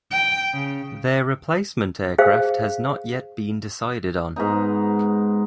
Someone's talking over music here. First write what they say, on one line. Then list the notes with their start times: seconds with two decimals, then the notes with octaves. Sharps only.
Their replacement aircraft has not yet been decided on.
0.11 G5
0.54 C#3
2.18 G#4 C5 F5
4.36 G#2 B3 D#4